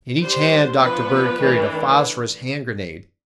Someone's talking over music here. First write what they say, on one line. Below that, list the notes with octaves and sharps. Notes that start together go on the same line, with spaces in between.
In each hand Dr. Bird carried a phosphorus hand-grenade.
G3 D4 C5
F3 B3 D4 B4
E3 A3 D4